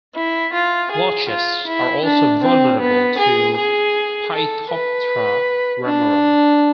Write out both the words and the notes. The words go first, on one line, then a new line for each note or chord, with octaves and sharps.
Larches are also vulnerable to "Phytophthora ramorum".
E4
F4
G#4
F4
E4
D4
C4
B3
G#4
G#4
A4
B4
D4